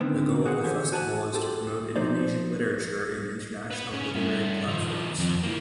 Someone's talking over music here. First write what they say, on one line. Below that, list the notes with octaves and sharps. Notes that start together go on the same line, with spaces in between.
The goal of the festival is to promote Indonesian literature in international literary platforms.
D3 D#3 B3 C4
F#4 G#4 C5 F5 F#5
D2 E3 G4 A4 C5 G#5
F#4 G#5 A5
F4 G4 A4
B1 B2 F3 D#4 C5 D5
B4 F#5
C#3
G2 E5
D#3 F3
F2
E3 A#3